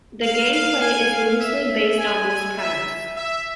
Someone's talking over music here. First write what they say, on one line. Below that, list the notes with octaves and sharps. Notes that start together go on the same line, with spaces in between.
The gameplay is loosely based on this premise.
F5
F5
G#5
F5
E5
E5
G#5
G#5
E5
E5